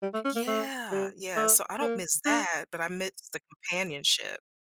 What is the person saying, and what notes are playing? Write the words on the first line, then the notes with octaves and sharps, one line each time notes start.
yeah, yeah. So, I don't miss that, but I miss the companionship
G3
A3
C#4
A#3
A3
G3
A3
A#3
D4